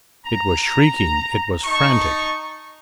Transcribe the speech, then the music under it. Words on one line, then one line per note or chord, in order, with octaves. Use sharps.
It was shrieking, it was frantic!
A#5
D#4 A5 C#6